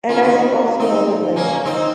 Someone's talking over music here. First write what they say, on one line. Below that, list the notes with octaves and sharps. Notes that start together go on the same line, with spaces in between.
And I do also know that, like,
C#4 F4
D#4 F#4
C4 D#4
A#3 C#4
C4 D#4